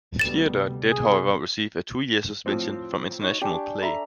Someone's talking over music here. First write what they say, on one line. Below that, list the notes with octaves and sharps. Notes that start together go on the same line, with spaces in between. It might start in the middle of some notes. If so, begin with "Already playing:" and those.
Theodore did, however, receive a two-year suspension from international play.
D2 B2 G3 A6 E7
C3
G#2 B2 G#4
A2 F3 C4
D#4 F#4 C#5
D4 G4 G5 G#5 C#6
A4 E5 A#5 B5